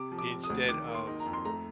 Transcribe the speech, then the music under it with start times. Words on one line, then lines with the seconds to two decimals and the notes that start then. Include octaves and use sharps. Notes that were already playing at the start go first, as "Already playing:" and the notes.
instead of,
Already playing: C3 D6
0.12 F3
0.18 D6
0.31 C4
0.44 D#6
0.50 D2
0.69 D#3 D6
0.88 A#3
0.95 C6
1.07 D#4
1.20 A#5
1.26 F2
1.33 C6
1.45 A3 A#5